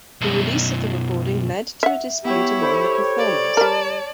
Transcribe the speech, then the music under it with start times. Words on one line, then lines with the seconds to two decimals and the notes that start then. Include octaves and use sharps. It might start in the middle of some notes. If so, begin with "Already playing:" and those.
The release of the recording led to a dispute among the performers.
0.21 B1 F#2
1.83 E5 F#5
2.25 B3 E4 G4 C#5 G5
2.62 A4 C5 B5
3.19 D5
3.57 G3 A#4 C#5 A5